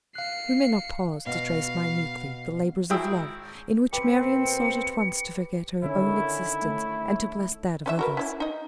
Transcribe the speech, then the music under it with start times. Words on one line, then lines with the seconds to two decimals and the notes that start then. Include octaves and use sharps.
We may not pause to trace minutely the labors of love in which Marian sought at once to forget her own existence and to bless that of others.
0.15 F5 F#6 C7 C#7
1.26 B2 F5
2.90 G#1 E4 G#4 G5 D#6 E6
3.93 B2 A#3 C4 G4 B4 C#7
5.83 D3 D#3 C#4 E4
6.62 A3
7.86 C#4 D5 E5
7.99 F#4 A#4 B4
8.17 C#4 E4
8.40 D#4 D#5